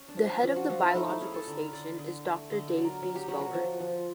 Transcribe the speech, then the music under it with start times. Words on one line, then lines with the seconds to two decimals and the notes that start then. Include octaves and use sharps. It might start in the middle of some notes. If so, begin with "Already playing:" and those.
The head of the biological station is Doctor Dave Biesboer.
Already playing: C#4
0.08 D4
0.17 F3
0.27 C#4
0.43 F3 D4
0.56 F#4
0.69 F3 F4
0.83 E4
0.95 A3 D#4
1.08 E4
1.21 C#4 G#4
1.34 A4
1.47 D3 A#4
1.73 D3 D5
1.99 D3
2.25 A3
2.51 D3 D#5
2.68 D5
2.77 F#3
2.85 A#4
3.02 F#3
3.15 G4
3.28 F#3 F#4
3.41 F#4
3.54 F3
3.80 F3